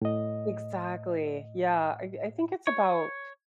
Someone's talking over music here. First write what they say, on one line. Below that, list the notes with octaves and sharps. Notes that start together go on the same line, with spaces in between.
Exactly, yeah, I I think it's about
A2 D#5
C#5